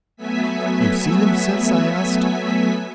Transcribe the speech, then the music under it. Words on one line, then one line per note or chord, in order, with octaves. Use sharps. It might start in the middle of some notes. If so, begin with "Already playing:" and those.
"You've seen him since?" I asked.
F#3 A3 B3 E5 G#5 B6